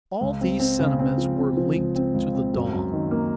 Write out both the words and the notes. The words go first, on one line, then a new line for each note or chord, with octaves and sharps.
All these sentiments were linked to the dawn.
C#2
C4
C4
C#3
C4
F3
C4
F3
C#2
C4
C#2
C4
F#2
F#2
D#3
A#3